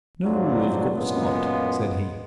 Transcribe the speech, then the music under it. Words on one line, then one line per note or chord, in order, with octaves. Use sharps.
"No, of course not," said he.
F2 G#2 F#3 G3 D4 F4
F#2 A#2 G#3 A#3 B3 F4